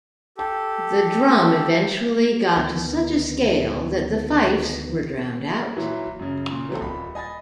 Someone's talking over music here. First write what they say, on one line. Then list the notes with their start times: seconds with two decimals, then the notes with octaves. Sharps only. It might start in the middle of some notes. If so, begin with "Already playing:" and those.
The drum eventually got to such a scale that the fifes were drowned out.
0.38 G4 A4
2.56 D2 D#3 B3
5.77 A#2 E3 F#3 E4
6.19 F#2 C#3
6.47 A#2 C#3
6.69 E3 F#3 C4 A4
6.81 D#1 B5
7.15 D#5 G#5 B5 A6